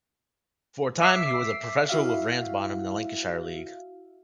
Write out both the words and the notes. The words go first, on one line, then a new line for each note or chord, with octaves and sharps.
For a time, he was a professional with Ramsbottom in the Lancashire League.
E5 D6 E6 B6 C7
E4 F#4 E5 F5